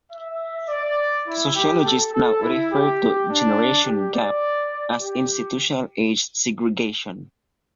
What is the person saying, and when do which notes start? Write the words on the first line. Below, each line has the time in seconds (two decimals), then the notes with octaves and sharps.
Sociologists now refer to "generation gap" as "institutional age segregation".
0.11 E5
0.68 D5
1.26 E4
1.54 G4
1.84 A4
2.13 A4
2.40 E4
2.70 G4
3.28 D4
3.85 G4
4.13 D5
5.00 G4